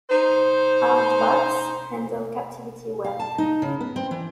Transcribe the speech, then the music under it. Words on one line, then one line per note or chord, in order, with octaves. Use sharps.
Aardvarks handle captivity well.
D#4 C5
F5
A5
D#4
C#3
B3
C4
E3